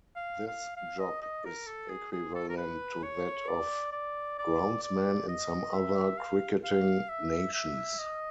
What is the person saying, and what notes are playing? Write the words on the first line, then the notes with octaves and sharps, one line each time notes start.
This job is equivalent to that of groundsman in some other cricketing nations.
F5
F5
F5
D#5
D#5
A#4
A4
G#4
G#4
A4
A#4
B4
C#5
D5
D5
D5
D5
D#5
E5
F5
F5
E5
E5
D#5